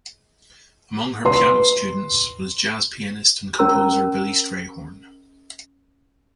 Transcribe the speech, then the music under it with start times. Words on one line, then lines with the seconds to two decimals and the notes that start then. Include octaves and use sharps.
Among her piano students was jazz pianist and composer Billy Strayhorn.
1.25 B4 C6
3.59 C#4 A#4 A#5 E6